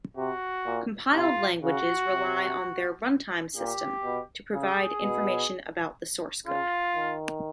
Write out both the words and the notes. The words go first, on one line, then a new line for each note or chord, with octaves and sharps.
Compiled languages rely on their runtime system to provide information about the source code.
C3 F#4
A#2
C3 F4
C#3 F#4
C3
A#2 G4
B2
C#3 G#4
B2
C#3 F4
D#3